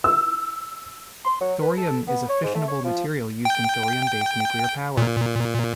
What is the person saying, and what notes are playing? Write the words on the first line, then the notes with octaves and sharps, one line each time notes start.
Thorium is a fissionable material used in thorium-based nuclear power.
E6
C6
F#3
B4
A4
B3
C#5
G#2
A3
C#5
F3
G5
A#2